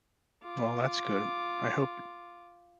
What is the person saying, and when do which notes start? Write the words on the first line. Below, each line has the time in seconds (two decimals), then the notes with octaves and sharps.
Well, that's good, I hope it
0.42 F4 D6